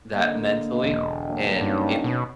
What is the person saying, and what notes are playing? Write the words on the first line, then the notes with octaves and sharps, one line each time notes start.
that mentally and it's
D3 A#3 D#5
E1
F#3 A#3 D4
G2 C#4 D#4
B2